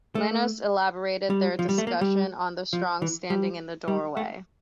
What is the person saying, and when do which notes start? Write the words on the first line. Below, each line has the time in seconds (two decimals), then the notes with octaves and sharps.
Lanois elaborated their discussion on the song "Standing In The Doorway".
0.15 A3
1.30 G3
1.59 F3
1.69 G3
1.78 A3
1.87 A#3
2.01 G3
2.73 F3
3.02 E3
3.30 G3
3.88 G3
4.17 A3